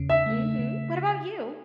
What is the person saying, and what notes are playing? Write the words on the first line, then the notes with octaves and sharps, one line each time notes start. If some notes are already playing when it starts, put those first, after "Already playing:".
Mhm. What about you?
Already playing: E2 C#3
E5
A3
C#3